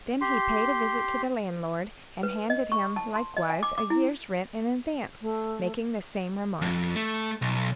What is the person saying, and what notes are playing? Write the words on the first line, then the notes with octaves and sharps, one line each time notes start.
Then he paid a visit to the landlord, and handed him, likewise a year's rent in advance, making the same remark.
G4 C6
B4
D#5
C#6
A5
C6
D#5
G#5
D6
D6
E4
A3
F2
A3
B1